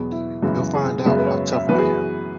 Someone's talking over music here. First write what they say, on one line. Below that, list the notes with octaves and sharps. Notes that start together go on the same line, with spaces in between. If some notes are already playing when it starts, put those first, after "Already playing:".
You'll find out how tough I am.
Already playing: E2 B2 F#3 B3 G#4
E4
F#2 C#3 E3 G#3 B3 F#4
G#4
F#2 C#3 G#3 B3 E5
B4
C#5
E5
F#2 E3 B3 B4
F#4
G#4